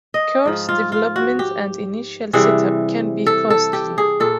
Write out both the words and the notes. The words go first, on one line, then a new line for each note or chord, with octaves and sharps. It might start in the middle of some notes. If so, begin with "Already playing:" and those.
Course development and initial setup can be costly.
D#5
G#2 F3
F4
F4
F#4
G4
C3 E3 G3 G#4
A4
A4
G4
G#4
A#2 A4